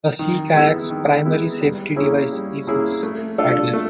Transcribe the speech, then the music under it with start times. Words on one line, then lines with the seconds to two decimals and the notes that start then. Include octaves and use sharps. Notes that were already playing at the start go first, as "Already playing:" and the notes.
A sea kayak's primary safety device is its paddler.
0.19 D#3
0.54 G#3 B3 E4
0.90 D#3
1.25 G#3 B3 E4
1.61 G3
1.96 A#3 C#4 E4 G#4
2.32 G3
2.67 A#3 C#4 E4 G#4
3.03 A3
3.38 D4 F4 A4
3.74 A3